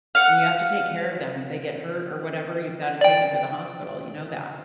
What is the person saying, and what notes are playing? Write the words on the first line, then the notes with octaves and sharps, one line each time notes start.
and you have to take care of them. If they get hurt or whatever, you've gotta take 'em to the hospital, you know that?
F5 F#5
D5 G5